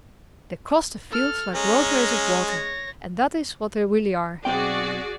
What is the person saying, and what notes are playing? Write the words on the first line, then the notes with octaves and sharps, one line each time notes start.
They cross the fields like roadways of water, and that is what they really are.
A4 F6
G#3 C#4 A#5
C#5 A#6
B1 C4 F#4 G#4 D5 G5